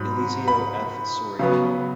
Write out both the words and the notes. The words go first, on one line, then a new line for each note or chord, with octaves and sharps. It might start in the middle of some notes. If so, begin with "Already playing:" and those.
Eliseo F. Soriano.
Already playing: G#2 F#3 B5
B5
C#3 F#3 B3